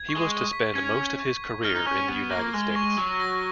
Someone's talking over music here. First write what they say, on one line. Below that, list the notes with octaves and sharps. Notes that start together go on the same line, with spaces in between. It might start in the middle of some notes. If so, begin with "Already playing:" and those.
He was to spend most of his career in the United States.
Already playing: G#6
C#6
G#3
C#6
B6
C#4 G#6
C#6
C#6
B6
D#4 F6
D#4
C#4 C#6
B3 C#6
A#3 A#6
G#3 F6
C#6
F#3 C#6
A#6